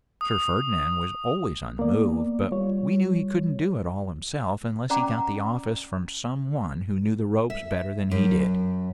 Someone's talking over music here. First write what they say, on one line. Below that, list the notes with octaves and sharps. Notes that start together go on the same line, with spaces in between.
Sir Ferdinand was always on the move, but we knew he couldn't do it all himself unless he got the office from some one who knew the ropes better than he did.
D#6
A#3 B3 D5
G3 F4 C#5
C#4 D5 F#5 G5 A#5 D6
E5
F#2